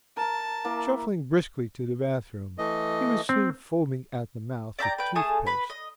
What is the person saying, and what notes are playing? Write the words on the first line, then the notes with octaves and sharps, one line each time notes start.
Shuffling briskly to the bathroom, he was soon foaming at the mouth with tooth-paste.
A#4 A5 A#5
A#3 E4
E3 A3 D#5
C4
D5 E5 G5 A#5
B4 G5
A3 G#4 A5 D#6
B4 B5
D#5